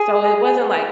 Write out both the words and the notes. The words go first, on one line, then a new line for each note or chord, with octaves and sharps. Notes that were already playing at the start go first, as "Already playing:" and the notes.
So it wasn't like
Already playing: G#4